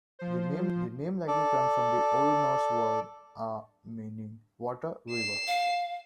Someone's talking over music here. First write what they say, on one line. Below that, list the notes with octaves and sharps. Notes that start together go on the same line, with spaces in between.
The name likely comes from the Old Norse word "aa", meaning 'water, river'.
F3 C5
A4 D5
C7 E7
F5